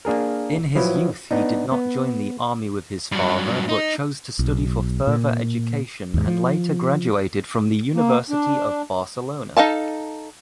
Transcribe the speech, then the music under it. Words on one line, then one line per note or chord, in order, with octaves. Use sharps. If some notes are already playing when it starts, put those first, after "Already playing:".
In his youth, he did not join the army with his father, but chose to study for further education, and later graduated from the University of Barcelona.
A#3 D4 G#4 A#4
F3 F#3 E4 B4
B3 D4 D#4
B3
G2 F#3
D#4
B1
A#2
D#2 G#2
F3
A#3
D4
D#4 A4 F5 A5